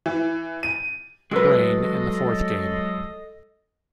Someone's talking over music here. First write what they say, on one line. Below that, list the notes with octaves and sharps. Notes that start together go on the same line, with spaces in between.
Brain, in the fourth game.
E3
D#7
F#3 G#3 F#4 A4 B4 D#5